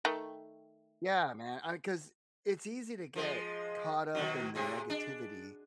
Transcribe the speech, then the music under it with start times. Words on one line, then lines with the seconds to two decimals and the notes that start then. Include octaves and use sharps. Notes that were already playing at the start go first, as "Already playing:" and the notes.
Yeah, man. I 'cause it's easy to get caught up in the negativity
0.05 D#3 A3
3.16 F3 G#3
4.15 B2 D#3 F#3
4.55 A2 C3 G#4
4.90 D4